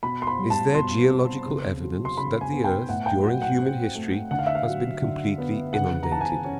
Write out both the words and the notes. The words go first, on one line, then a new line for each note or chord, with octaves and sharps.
Is there geological evidence that the earth, during human history, has been completely inundated?
B2 B5
C6
B5
G3
A5
B2 C6
C4
C#3
F#3
C6
C#3 B5
G#5
B3
G5
A2 F#5
G5
F#3 F#5
F#5
C4
A3
D3 F#5
F5
E5
F5
F#3
D3
B3
C#3 F#5
A#5
E3 A5
G#5
C#4